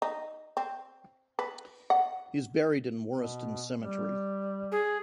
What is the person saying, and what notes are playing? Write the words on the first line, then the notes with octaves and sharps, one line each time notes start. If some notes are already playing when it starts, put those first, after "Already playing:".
He is buried in Warriston Cemetery.
D#4
C4
B4
F#5
B2
G3
G#4